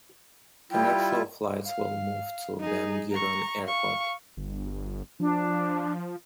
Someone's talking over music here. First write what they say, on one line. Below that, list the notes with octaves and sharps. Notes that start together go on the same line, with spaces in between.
Commercial flights will move to Ben Gurion Airport.
G3 E4 F4 G5
F5
D#4 G#4
A#5 C#6
F5 C#6
G1
F3 D4